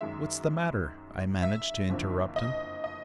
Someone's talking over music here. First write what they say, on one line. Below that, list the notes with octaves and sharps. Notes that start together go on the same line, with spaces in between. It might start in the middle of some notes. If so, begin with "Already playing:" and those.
"What's the matter?" I managed to interrupt him.
F#2 D#3 G#3 E5
E5
F#1 F2 D3 F3
D#5
D#5